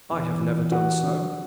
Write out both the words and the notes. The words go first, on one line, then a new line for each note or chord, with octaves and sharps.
"I have never done so."
E2
E2
G3 F#4 F#5
D3